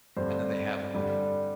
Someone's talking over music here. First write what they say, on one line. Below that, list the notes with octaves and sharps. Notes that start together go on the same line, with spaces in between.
and then they have a r
G2 D3 G3 C4 C5
G2 D3 G3